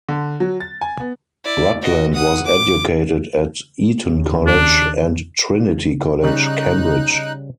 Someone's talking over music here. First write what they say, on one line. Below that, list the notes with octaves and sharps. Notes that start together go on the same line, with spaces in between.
Rutland was educated at Eton College and Trinity College, Cambridge.
D3
F#3
A6
G#5
B3
E4 D5
F#4 D#5
F#5 D#6
D6
D#2 C#3
D4
C#3 G3 D#4 F#6